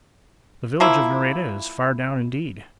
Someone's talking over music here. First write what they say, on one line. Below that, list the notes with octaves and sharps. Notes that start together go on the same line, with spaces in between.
The village of Nareda is far down indeed.
F3 A#3 E4